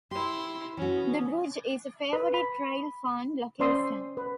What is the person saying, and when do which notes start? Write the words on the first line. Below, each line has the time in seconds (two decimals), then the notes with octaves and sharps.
The bridge is a favorite railfan location.
0.11 E4 G4 C6
0.77 E3 C#4 F#4
2.13 B4
2.34 B5
3.59 C#4 C5 D5 C6 D#6 E6
3.75 C6
4.17 B4